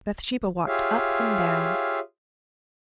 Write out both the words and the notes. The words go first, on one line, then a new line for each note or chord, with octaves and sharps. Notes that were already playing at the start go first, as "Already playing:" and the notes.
Bathsheba walked up and down.
F4 G4 G#4 C#5 E5 F5